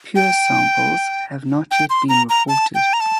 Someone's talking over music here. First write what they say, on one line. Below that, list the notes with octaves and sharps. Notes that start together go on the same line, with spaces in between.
Pure samples have not yet been reported.
G5
G5
C6
A#5
A#5
A5
G5
A#5
A5